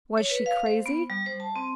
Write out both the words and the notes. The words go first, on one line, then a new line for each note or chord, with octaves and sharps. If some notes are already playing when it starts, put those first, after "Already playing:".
Was she crazy?
C#5
B4
F5
C5
B3
G3
C5
A5
C4